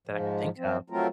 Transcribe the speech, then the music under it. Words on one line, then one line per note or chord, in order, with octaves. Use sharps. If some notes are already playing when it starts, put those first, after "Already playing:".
that I can think of.
G#2 F3
F3 C4
F3 F#3 A3 C4 F4 A#4